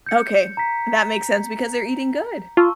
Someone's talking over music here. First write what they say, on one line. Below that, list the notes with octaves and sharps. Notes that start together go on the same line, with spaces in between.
Okay, that makes sense because they're eating good.
G6 C#7
A#5 B6
F4 A5 C#6 E6